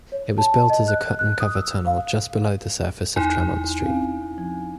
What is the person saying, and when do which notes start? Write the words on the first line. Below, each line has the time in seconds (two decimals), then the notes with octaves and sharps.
It was built as a cut-and-cover tunnel just below the surface of Tremont Street.
0.12 C#5
0.38 A5
0.56 A5
0.70 D#5
0.88 F#6
1.19 F#6
1.40 D#6
1.55 E6
1.86 F5
3.16 E2 D#4 E4 G#5 C6
3.81 C4 C#4 F5
4.38 F3